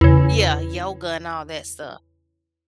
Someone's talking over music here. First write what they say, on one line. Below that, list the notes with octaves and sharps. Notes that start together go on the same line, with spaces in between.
yeah, yoga and all that stuff.
E2 C#3